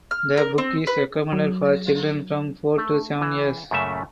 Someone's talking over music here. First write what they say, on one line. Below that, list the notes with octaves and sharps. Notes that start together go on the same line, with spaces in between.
The book is recommended for children from four to seven years.
F6
A#4
C4
B4
F#3
A3
E3
F#2 A#2 C#3 A3 E5